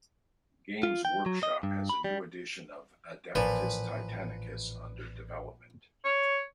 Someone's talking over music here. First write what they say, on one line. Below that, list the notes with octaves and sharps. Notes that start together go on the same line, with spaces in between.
Games Workshop has a new edition of "Adeptus Titanicus" under development.
F4
G5
F#3
D#5
G2
B5
G3
A1 A#2 F3 B4
C#5